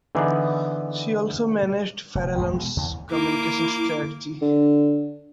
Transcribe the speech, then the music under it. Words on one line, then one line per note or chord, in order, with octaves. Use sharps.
She also managed Farallon's communication strategy.
D3 E3 B3 D#4 G#4 D5
F1
A1 E2 G#3
B2 G#3
D#2 C#3 E3
A#3 E4 D6
D3